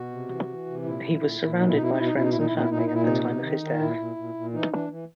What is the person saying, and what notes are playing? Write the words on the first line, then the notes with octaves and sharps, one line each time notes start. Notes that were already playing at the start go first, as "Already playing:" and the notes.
He was surrounded by friends and family at the time of his death.
Already playing: B2 F#4
C3
E3
E3
C3
A#2 E4
A#2
A#2
A#2
B2 D#4
E4
B2 D#4
E4
D#4
B2 E4
D#4
B2 E4
D#4
A#2 E4
D#4
E4
A#2 D#4
E4
A#2 D#4
E4
A#2 D#4
E4
C3 D#4
C3
D#3
D#3
A#2 E4
A#2
A#2
A#2
E3 D#4
E3 D4
E3